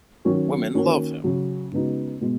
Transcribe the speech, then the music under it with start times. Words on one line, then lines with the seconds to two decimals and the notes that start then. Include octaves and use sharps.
Women Love Him!
0.25 D#3 F#3 C#4 F#4
0.74 D#3 A#3 C#4 F#4
1.24 C#3 F#3 C#4
1.72 C#3 G#3 B3 D#4 F#4
2.21 B2 G#3